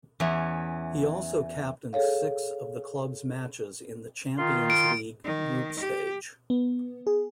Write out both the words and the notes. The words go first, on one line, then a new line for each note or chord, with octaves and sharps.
He also captained six of the club's matches in the Champions League group stage.
E2 E3 C#4 E5
G#4 A4 C#5 F5
D#3 F4 C6
D7
D#3
G4
B3
G#4